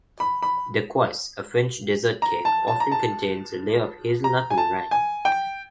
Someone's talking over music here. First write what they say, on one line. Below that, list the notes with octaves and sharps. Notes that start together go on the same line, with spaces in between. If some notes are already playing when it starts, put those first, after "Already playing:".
"Dacquoise", a French dessert cake, often contains a layer of hazelnut meringue.
B5
B5
A#5
A5
A5
A#5
A5
A#5
G#5
A5
G#5
G5